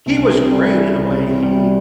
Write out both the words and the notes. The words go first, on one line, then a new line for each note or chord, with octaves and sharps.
he was great in the way he
C2
C3
G3
E3
C2
C3
G3